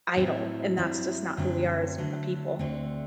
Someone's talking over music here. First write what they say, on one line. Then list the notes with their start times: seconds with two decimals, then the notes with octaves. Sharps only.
idle, and that's just not who we are as a people.
0.16 A2 F#3 C4 E4
0.77 G2 F#3 C4 E4
1.37 F#2 D3 F#3 A3 C4
1.98 D3 F#3 A3
2.59 D2 D3 A3 C4